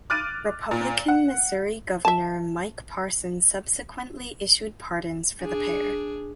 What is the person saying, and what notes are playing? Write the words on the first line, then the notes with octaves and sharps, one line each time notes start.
Republican Missouri Governor Mike Parson subsequently issued pardons for the pair.
D6 F6 F#6 A6 D7 D#7
A#2
F#5
E5 A5
D4 G#4